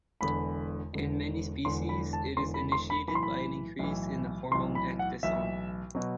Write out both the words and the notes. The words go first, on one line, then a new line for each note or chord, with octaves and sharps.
In many species it is initiated by an increase in the hormone ecdysone.
E1 E2 D3 B5
E1 E2 D3
E1 E2 D3 C6
B5
A5
E1 E2 D3 C6
B5
C6
B5
B1 A2 E3 B5
C6
B5
B1 A2 E3
B1 A2 E3 C6
B5
F#5
B1 A2 E3 E5
B2 F#3